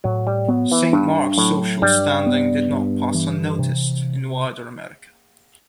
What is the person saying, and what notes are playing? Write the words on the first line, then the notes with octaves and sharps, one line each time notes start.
Saint Mark's social standing did not pass unnoticed in wider America.
A2 F#3
G3
F#3 B3
E3
G2 D4
A2 F#3
G2 G3
B3
G2
E3
C3